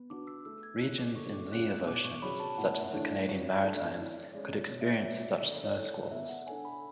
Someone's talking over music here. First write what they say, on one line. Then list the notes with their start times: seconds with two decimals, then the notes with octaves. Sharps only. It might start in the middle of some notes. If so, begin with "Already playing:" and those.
Regions in lee of oceans, such as the Canadian Maritimes could experience such snowsqualls.
Already playing: B3
0.10 D4 F#4 B4 D6
0.27 E6
0.45 A3 E6
0.63 G#6
0.81 C#4 E4 G#4 C#5 F#6
0.98 D6
1.16 D3 C#6
1.34 D6
1.52 G#3 C#4 F#4 F#6
1.69 F#6
1.87 B2 D6
2.04 C#6
2.22 F#3 C#4 G#4 D5 B5
2.40 A5
2.58 A2 F#5
2.75 E5
2.93 E3 A3 D4 C#5
3.11 D5
3.28 F#3 D5
3.64 A3 D4 D5
3.88 C#5
3.99 E3 D5
4.30 C#5
4.35 G#3 C#4 D5
4.69 B2 C#5
4.81 E5
4.88 D5
5.05 F#3 C#4 E5
5.24 D5
5.41 D3 D5
5.64 C#5
5.76 A3 E4 A4
5.88 D5
6.11 B3 E5
6.29 F#5
6.46 D4 A4 C#5 G#5
6.65 B5